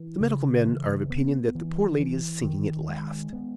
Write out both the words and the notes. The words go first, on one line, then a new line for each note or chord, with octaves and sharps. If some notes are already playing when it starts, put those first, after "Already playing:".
The medical men are of opinion that the poor lady is sinking at last.
Already playing: E3
C#3
E3
B3
E3
E3
D#3
G#3
B3